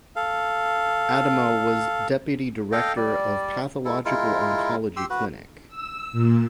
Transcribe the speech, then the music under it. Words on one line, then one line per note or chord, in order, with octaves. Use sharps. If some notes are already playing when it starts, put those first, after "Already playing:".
Adamou was Deputy director of Pathological Oncology Clinic.
A4 F5
A4 D#5 F5 G5
G3 D5
G#3 E4 A4
G#3 E4 F4 A#4
G4 C6 E6
F#4 B4
E6
A#2